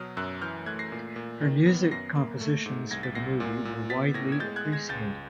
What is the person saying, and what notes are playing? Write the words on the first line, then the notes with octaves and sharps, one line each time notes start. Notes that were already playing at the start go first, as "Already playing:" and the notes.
Her music compositions for the movie were widely appreciated.
Already playing: B2 F#3 D#6 F6
F#2 E6 F#6
E3 F6 G6
A3 F#6 G#6
A#6 C7
A#2
A#2
D#3
B3
F#2 A#6 C7
A#3
A3
G#2
C2 G#6 A#6
A6 B6
C2 A#6 C7
A#2
A#2
B3 A6 B6
A2 G#6 A#6
G#6
G#3 G6 A6
F#6 G#6
G#3
G#6 A#6
C#2 G6 A6